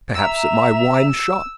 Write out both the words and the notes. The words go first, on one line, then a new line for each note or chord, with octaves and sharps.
"Perhaps at my wine-shop?"
E5 A#5 E6